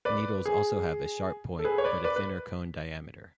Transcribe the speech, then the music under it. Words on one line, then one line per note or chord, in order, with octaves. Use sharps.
Needles also have a sharp point, but a thinner cone diameter.
B4 D5
G#4
A4
G#4 B4
C#5
B4 D5
B4 D5
B4